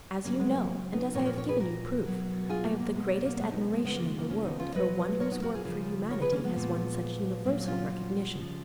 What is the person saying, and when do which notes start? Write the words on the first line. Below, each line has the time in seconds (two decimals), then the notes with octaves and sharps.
As you know, and as I have given you proof, I have the greatest admiration in the world for one whose work for humanity has won such universal recognition.
0.24 C#3 F#3 A#3 C#4
0.39 G#3 B3
0.55 A#3
0.93 B3 D#4
1.14 A#2 A#4 C#5
1.19 F3
1.26 A#4 C#5
1.37 A#4 C#5
1.49 G#4 B4
1.60 F#4 A#4
2.05 B2 F#3
2.50 F4 G#4
2.65 A#3
2.80 A#3
2.95 B2 F#3 G#3
3.10 A#3
3.25 A#3
3.41 G#3 B3
3.51 B3 D#4
3.73 G#3 B3
3.84 C#3 F3 G#3 B3
3.96 A#3
4.07 G#3
4.18 A#3
4.30 A#3 C#4
4.45 B3 D#4
4.60 C#4 F4
4.75 B2 F#3 B4 D#5
5.20 A#4 C#5
5.31 B3 D#4
5.42 F#4 A#4
5.54 F4 G#4
5.65 C#3 F3 F4 G#4
6.11 A#4 C#5
6.22 G#4 B4
6.32 A#3 C#4
6.44 G#3 B3
6.56 A#2 F3
7.45 A#2 F#3 A#3
7.67 C#4 F4
7.90 C#4 F4
8.35 C#3 F3